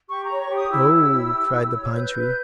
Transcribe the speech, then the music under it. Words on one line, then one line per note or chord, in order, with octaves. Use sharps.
"Oh!" cried the pine tree.
G4 C#6
A#5
C#5
C#6
G4
D#6
E4 E6
C#5
E4
G4
E4
C#5
B4 G6
B4